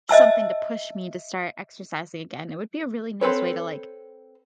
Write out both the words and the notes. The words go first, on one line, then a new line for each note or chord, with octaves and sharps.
something to push me to start exercising again, it would be a really nice way to, like,
D#5 E5 A5 E6
C4 A4 B4 C#5